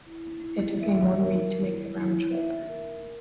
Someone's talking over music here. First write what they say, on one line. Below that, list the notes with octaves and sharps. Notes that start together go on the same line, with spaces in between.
It took him one week to make the round trip.
E4
E4
E5
A#4
E4
E4
E5
A#4